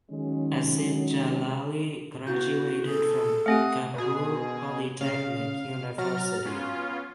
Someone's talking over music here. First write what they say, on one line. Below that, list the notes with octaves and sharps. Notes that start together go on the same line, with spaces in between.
Asif Jalali graduated from Kabul Polytechnic University.
D#3 F#3 G#3 C#4
B3 E4 F#4 G6
G#4 A4
A3 C4 G4 E5 F#5 D#6
B2 G#4
C#3 F5
F#3 A#5 F6 A6
B3 C#4 F4